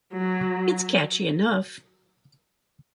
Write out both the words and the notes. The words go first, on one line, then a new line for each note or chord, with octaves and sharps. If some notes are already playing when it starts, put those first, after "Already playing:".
It's catchy enough.
F#3